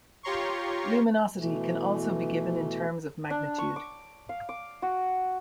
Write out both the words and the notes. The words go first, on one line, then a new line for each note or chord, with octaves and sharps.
Luminosity can also be given in terms of magnitude.
F4 G4 C#5 A#5 C6 C#6
B2 E3 A3
D4
C#6
D6
F5
D6
F#4